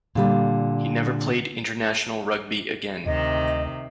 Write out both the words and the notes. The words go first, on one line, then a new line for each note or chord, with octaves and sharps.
He never played international rugby again.
A#2 D3 G3
D2 C3 D#3 D#5